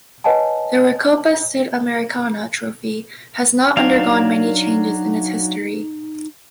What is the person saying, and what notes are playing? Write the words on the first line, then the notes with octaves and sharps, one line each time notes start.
The Recopa Sudamericana trophy has not undergone many changes in its history.
B4 C#5 D#5 F#5 G#5 A5
F#3 D4 D#4 F5